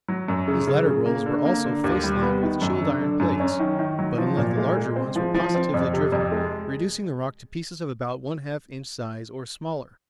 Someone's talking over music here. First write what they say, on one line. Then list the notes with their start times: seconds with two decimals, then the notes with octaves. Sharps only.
These latter rolls were also face-lined with chilled-iron plates; but, unlike the larger ones, were positively driven, reducing the rock to pieces of about one-half-inch size, or smaller.
0.08 F#3
0.28 F#2
0.48 C#3
0.67 C#3
0.86 C#3
1.06 A#3
1.26 D3
1.45 A#3
1.64 D3
1.84 D#2
2.03 G3
2.22 B3
2.43 D#3
2.62 F#2
2.82 D3
3.01 D3
3.20 F#2
3.40 C#4
3.60 D#3
3.79 D#3
3.99 F#3
4.18 F3
4.37 A#2
4.57 G#3
4.77 G#3
4.96 C4
5.16 F3
5.34 F3
5.55 C4
5.74 F2
5.93 C3
6.12 F2
6.32 G#3